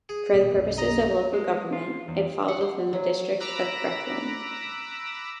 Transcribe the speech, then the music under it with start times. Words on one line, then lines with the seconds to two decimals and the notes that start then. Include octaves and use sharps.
For the purposes of local government, it falls within the district of Breckland.
0.09 G#4
0.34 D#1 B2 A#3
0.54 B1 F#2
0.78 D#5 A#5
1.34 G#3
1.73 F4
2.08 E2
2.48 F#5
2.61 C6
2.93 F#3
3.40 A#5 B5 D6 E6 F#6 A#6